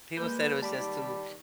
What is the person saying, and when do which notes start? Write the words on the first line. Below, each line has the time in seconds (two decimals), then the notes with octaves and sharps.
People said it was just too
0.17 G3 G#3 A#3 B4 G6
0.62 D#3 G3 A5 B5 D6